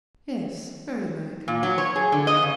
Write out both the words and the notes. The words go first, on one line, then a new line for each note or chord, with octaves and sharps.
'Yes, very like.
A#2
F#3
C#5
G#4
D3
D#5
C#3